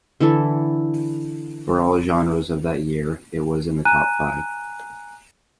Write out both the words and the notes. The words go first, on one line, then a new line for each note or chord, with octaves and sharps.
For all genres of that year, it was in the top five.
D3 E3 E4 A4
G#5 A#5 F#6 D#7